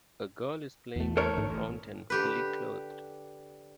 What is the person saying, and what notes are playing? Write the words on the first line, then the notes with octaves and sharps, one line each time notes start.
A girl is playing in the fountain fully clothed.
E2 A3
A4 A#4 C#5
A1 D2 G#2
A1
D3 G4 B4